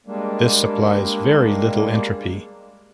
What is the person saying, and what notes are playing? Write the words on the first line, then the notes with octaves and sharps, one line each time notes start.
This supplies very little entropy.
G3 G#3 A#3 D4